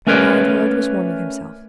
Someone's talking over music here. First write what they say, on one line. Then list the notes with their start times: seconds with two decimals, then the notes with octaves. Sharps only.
The landlord was warming himself.
0.07 A3 C#4 A#4 B4 C#5 D5